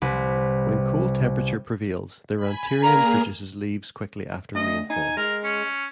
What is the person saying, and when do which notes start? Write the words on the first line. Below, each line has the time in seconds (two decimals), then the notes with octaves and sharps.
When cold temperature prevails the Rhanterium produces leaves quickly after rainfall.
0.02 C2 B4
2.36 G#5 B5
2.83 A#3 G#4 A#4 D5 F5 A#5
4.55 D2 D#5
4.90 D#4 G#5
5.17 G#3 A#4
5.44 C#4